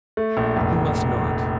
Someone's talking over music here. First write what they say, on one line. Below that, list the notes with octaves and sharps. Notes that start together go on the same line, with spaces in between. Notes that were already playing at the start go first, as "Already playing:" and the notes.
You must not.
A3
A#1
F1